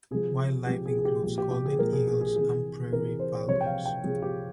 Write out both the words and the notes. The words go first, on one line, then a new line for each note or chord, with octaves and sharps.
Wildlife includes golden eagles and prairie falcons.
C3 F3 G#4
C3 F3 G4
G#4
G#4
G4
A#2 F3 G4
G4
G4
G#4
A#2 F3 A#4
G#4
G#4
G#4
C3 E3 G#4
C3 E3 A#4
C5
C3 F3 C#5
G5
F5
G5
C3 F3 G#4
G4